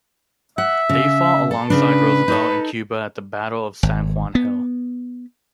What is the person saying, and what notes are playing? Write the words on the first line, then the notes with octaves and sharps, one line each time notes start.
They fought alongside Roosevelt in Cuba at the Battle of San Juan Hill.
E5 F#5
C#3
A4
C#3 D4 B4
D#4 A4
G#1
B3